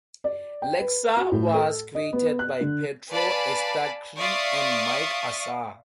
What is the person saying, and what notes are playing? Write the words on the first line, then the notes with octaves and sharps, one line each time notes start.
Lexar was created by Petro Estakhri and Mike Assar.
D5
G5
B4
F#4
A2
A4
D#5
B3
F#6
D3
B4 D5 F5 G#5 A5 B5
D5 E5 F5 C6 C#6 D#6